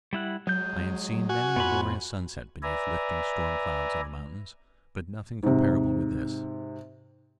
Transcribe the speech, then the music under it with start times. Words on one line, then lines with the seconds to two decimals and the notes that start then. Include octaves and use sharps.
I have seen many a glorious sunset beneath lifting storm clouds on the mountains, but nothing comparable with this.
0.13 G3 E4 F#5
0.47 F#3 G#3 G6
1.29 F#4 G#5
1.56 F2 B3 F4 B5
2.63 B4 D5 E5 G#5 A#5
5.43 G#2 C3